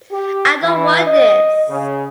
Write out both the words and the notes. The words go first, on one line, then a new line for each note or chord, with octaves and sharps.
I don’t want this.
G4
E3
D#5
C#3